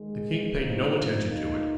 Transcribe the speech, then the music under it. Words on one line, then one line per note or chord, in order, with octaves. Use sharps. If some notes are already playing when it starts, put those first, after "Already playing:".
The king paid no attention to it.
Already playing: D#2 D#3 G#3
C3 F3 A#3 D#4
A#2 A#3 D#4